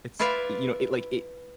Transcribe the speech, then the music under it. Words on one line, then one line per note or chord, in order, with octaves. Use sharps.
It's, you know, it, like, it
E4 F4 B4 D5 E5 F5